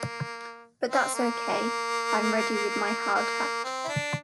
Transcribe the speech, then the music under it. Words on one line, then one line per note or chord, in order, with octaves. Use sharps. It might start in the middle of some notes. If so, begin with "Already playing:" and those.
But that's okay-I'm ready with my hard hat.
Already playing: A#3
C4
A#3
A#3
C4
E4
D4